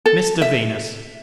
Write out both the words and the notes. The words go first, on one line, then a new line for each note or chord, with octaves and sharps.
Mr Venus.
A4
E5